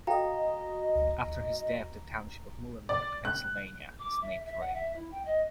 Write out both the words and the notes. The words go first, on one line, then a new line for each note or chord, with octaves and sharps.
After his death, the Township of Muhlenberg, Pennsylvania, was named for him.
F#4 A4 D#5 F5 G5 A#5
D5
F#6
D6
E5
E5
F#5
E5
E4
G5
D#5